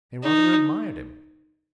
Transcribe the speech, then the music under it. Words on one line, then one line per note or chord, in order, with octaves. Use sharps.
They rather admired him.
D#4